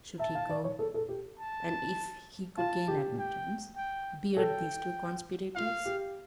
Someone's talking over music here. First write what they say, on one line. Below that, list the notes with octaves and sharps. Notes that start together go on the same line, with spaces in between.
Should he go and--if he could gain admittance--beard these two conspirators?
E5 A5
F5
D5
C#5
A4
A4
G4
A5
F4 A5
G4
G5
G5
A4 G5
F4 F5
G4